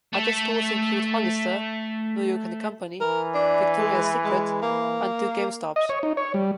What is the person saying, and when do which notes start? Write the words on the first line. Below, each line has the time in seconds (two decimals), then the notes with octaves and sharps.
Other stores include Hollister, New York and Company, Victoria's Secret, and two GameStop's.
0.13 A3 A4
3.01 E3 A#4
3.34 D4
3.78 G#3
4.24 G#3
4.62 A#3
5.76 D#5
5.89 C#5
6.03 D#4
6.17 C#5
6.34 G3